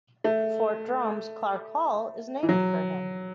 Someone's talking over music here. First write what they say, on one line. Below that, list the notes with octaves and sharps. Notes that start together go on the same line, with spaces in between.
Fort Drum's Clark Hall is named for him.
A3
E3
F#3